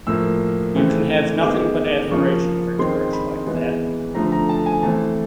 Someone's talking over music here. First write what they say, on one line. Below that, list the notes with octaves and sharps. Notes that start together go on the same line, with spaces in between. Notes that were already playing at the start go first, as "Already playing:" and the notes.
You can have nothing but admiration for courage like that.
A2 F3 A#3 E6
C#3 E3 A3 C4
D#3 G#3 B3 D6
C#3 F3 A#3 C#6
D#3 G#3 C4 C6
B5
E3 G#3 B3
D3 F3 A3 A#5
A#5
A5
G#5
E3 A3 C4 A5